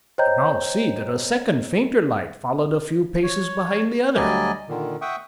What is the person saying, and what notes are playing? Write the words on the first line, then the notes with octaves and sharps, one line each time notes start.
I could now see that a second fainter light followed a few paces behind the other.
C5 C#5 D#5 G5 A#5 G6
C#5
D2 F#3 G3 D5 D#5 G#5
A#2 D3 D#3
E5 F#5 G5 C#6 D#6